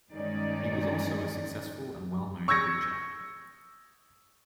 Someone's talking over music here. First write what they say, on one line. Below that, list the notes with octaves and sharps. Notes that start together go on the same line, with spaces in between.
He was also a successful and well known preacher.
G2 D#3 G#3 C#4 D#4 D5
C#6 E6 G6 G#6 A#6 C#7